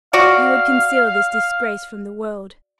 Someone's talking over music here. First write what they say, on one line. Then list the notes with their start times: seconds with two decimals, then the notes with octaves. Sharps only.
You would conceal this disgrace from the world.
0.13 F#4 D5 F5